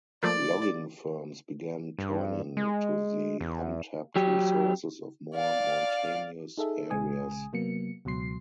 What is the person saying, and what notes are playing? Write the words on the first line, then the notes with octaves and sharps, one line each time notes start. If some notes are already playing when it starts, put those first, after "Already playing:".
Logging firms began turning to the untapped resources of more mountainous areas.
F3 A3 A#3 D5
G2
G#3
E2
F#3 G4
D5 F5
D#4 G#4 A4 E5
A#1 C#3 G#3 G#5 D#6
C3 F#3 A#3 B3 C#7
C#2 B2 F#3 C6 C7